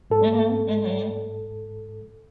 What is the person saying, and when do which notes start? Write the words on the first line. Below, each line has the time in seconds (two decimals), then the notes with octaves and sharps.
Mhm, mhm.
0.10 G#2 A4